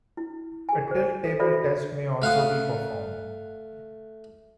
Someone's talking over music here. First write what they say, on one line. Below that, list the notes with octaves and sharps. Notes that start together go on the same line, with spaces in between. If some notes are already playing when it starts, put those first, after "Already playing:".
A tilt table test may also be performed.
E4
G#4 G#5
G#4 C5
A4
F#4 A4 C5 D5 E5 B5
A3 F5 F#5 D#6